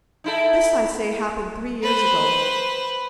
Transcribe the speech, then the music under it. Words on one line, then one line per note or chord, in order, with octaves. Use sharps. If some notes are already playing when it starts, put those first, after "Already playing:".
This, I say, happened three years ago.
D#4 E4 A4
B4 C5